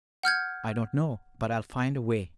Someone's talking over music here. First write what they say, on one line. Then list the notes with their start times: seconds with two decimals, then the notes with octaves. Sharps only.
"I don't know, but I'll find a way."
0.23 F#5 F6 G6 G#6